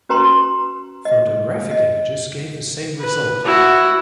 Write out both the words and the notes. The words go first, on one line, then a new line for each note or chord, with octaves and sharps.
Photographic images gave the same result.
C#4 F#4 B4 G5 A#5 C6
D#5
D#5
B4
E4 F#4